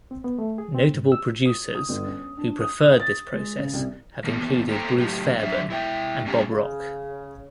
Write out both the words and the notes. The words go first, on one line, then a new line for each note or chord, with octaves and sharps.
Notable producers who preferred this process have included Bruce Fairbairn and Bob Rock.
C4
B3
A3
G#4
C4
G#2
E6
D#6
D#6
G1
C#4
D4
D#6
A6
G#3
C#3
C2
E3 A#3 B3
A#3 A4 C5 D5 G5 A#5
A2 F#3 D#4 G4 A#5
F#3 D4 C#5 E5
E4 E5 G5
G3 A#3 C#4 G4 G#5 A#5
C#3